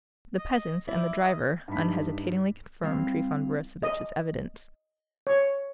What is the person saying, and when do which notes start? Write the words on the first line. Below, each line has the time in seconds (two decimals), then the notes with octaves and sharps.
The peasants and the driver unhesitatingly confirmed Trifon Borissovitch's evidence.
0.38 D#5
0.88 E4 D5
1.21 D#5
1.68 G2 G3 D#4 E4 B5 B6
2.84 G3 C4 E4 F5
3.83 D#5
5.27 C#5